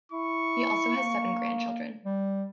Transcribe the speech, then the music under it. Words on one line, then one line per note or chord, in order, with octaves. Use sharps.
He also has seven grandchildren.
E4 C#6
A#3
G3